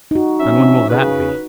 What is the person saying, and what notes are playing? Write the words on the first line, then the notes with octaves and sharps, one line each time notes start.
"And when will that be?"
D#4 F#4
F3 C#4 E5
C#3 B4